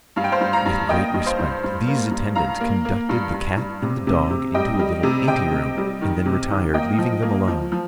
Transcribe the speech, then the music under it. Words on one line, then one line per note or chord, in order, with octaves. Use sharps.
With great respect, these attendants conducted the cat and the dog into a little ante-room, and then retired, leaving them alone.
G2 F5
G5
C5 F5
G2
F5 A#5
G2
A#3 D#5 G5
G2
C5 F5
G2
G2
A#3
G2
G2 F5 A#5
A#3
A#3
G2
G2
G2
C3
C3
C3
G3 D#5 G5
G3
C3
C3 D#5 G5
C3
G3
D#3
C3
D#3
A#3 D#5 G5
F3
A#3
F3
F3